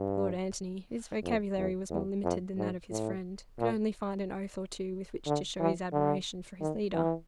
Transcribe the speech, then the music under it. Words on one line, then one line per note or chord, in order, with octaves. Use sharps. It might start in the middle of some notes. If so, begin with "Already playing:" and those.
Lord Antony, whose vocabulary was more limited than that of his friend, could only find an oath or two with which to show his admiration for his leader.
Already playing: G2
F2
E2
E2
F2
G#2
A2
A#2
D3
E3
D3
D#3
E3